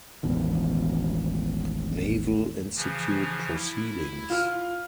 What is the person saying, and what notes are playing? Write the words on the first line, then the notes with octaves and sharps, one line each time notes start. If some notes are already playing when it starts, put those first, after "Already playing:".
Naval Institute "Proceedings".
E1 A1 B2 D#3
C#3 E3 F3
E4
F4 F6